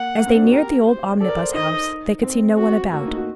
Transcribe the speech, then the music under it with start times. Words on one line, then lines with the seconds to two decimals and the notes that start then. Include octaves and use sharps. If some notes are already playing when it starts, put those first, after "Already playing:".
As they neared the old Omnibus House they could see no one about.
Already playing: A#3 F#5
0.18 A#3
0.26 C4
0.36 D4
0.43 F#4
0.52 G4 A#4
0.86 C5
1.20 A4 D5
1.28 A#4
1.38 C5
1.54 D#4 D#5
2.23 C4
2.57 F#4
2.91 A3 F#4
2.99 A#3
3.07 D#4
3.17 F#4